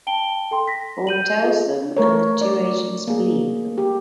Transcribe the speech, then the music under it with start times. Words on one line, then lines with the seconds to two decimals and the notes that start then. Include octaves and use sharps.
Ford tells them and the two agents believe them.
0.07 G5 A5 D7 G7
0.51 A4 G5 C6
0.68 A#6 B6
1.07 G6 D#7 F#7
1.42 F4 G#4 A4 D#5 F5
1.97 A3 A#4 C#5
2.41 D5
3.08 A#3 G#4
3.78 G4